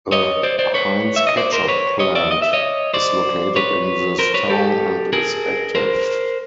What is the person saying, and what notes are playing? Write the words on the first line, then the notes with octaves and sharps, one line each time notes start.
A Heinz ketchup plant is located in this town and is active.
C#5 D#5
C5 D5
C5 D5
B4 C#5
E5
D#5
C5 D5
A#4 C5
B4 C#5
C#5 D#5
D5 E5
D#5
E5
C#5 D#5
C5 D5
B4 C#5
A#4 C5
B4 C#5
G4 A4
G#4 A#4
A#4 C5